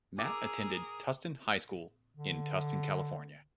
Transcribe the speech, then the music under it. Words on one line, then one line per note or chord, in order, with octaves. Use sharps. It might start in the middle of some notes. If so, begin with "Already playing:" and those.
Matt attended Tustin High School in Tustin, California.
G#4 A#4 D6 E6
D#6
D3